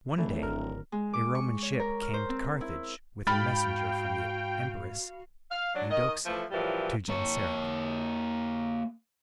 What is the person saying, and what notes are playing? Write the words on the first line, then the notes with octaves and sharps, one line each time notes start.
One day a Roman ship came to Carthage with a messenger from the Empress Eudoxia to Genseric.
D1 E3 A3 D4
G#1 D3 A#4
G#3
D6
C#6
C#5
A#4
F6
C5
C4
E4
G#2 F#4 F5 G5 B5 F6 A6
F5
F#3 D4
D#3 D#5
E3 F3 A3
F#2 A2 E3 F3 G3
A#3 C#5